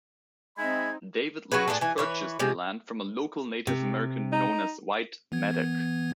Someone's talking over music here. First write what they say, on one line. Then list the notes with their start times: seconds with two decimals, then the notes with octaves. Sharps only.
David Leech purchased the land from a local Native American known as White Maddock.
0.58 G#3 C4 D#4 D#5 E5 B5 G#6
1.52 F#3 F#4 G#4 B4
1.68 A2 D4 G#4 A4
1.81 E3 G#5
1.98 E3 B4 C#5
2.39 C3 F3 G#3 C4
3.67 C3
4.32 D#4
5.32 E3 B3 G#6